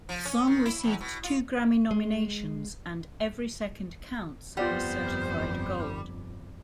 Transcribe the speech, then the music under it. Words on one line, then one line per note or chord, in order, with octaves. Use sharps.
The song received two Grammy nominations, and "Every Second Counts" was certified gold.
F3
C#4
D#3
E4
E2
B2
F4
G#3
G1 F2 G3 B3 F4 C5 D5 F#5